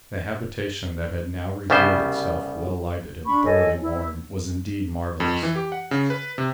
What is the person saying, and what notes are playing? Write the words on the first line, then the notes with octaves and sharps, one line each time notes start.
The habitation that had now revealed itself, well lighted and thoroughly warm, was indeed marvelous.
C2 C#3 G3 B3 C5
D4 B5 C#6
A4 C#5 D#5 G#5
E4
F2
E3
G4
F#5
C#3
B4
C3